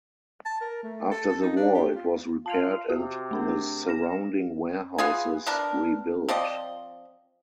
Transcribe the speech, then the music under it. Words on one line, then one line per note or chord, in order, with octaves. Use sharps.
After the war, it was repaired and the surrounding warehouses rebuilt.
A5
A#4
A3
A4
A4
D#4
D4
G4
F4
F4 A5 C7 F7
C3 F#4
A3 D4 A#4
F6 A#6 E7
B3 F4 G#4 G#5
B3 D4 A#4
F3 C4 D5 D#5